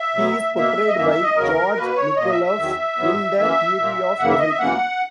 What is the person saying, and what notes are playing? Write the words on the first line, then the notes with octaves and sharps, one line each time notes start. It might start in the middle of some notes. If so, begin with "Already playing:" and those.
He is portrayed by Georg Nikoloff in "The Theory of Everything".
Already playing: E5
B2 F#3 B3
B2 A#3 E5
D#5
F#2 E3 A#3 E5
E5
D#5
E2 C#3 F#3 A#4
B2 A#3 B4
C#5
A#2 A#3 D#5
E5
E5
E2 D#3 F#3
G#2 F#3 B3
F#2 E3 A#3 E5
A#2 A#3
F#2 C#3 E3 A#3 F#5
E5
D#5
E5
F#2 E3 A#3 F#5